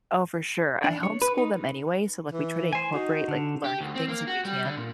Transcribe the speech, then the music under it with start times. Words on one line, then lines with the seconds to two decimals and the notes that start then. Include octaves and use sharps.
Oh, for sure. I homeschool them anyway, so, like, we try to incorporate, like, learning things when we can,
0.84 D4
1.03 C#5
1.22 B4
1.38 D#4
2.32 E3
2.73 C5 G#5
2.94 D#4 F#4
3.28 D3
3.64 G4
3.81 D2
3.95 C4
4.08 A#3
4.27 F#4
4.45 G3
4.65 D3
4.77 A#2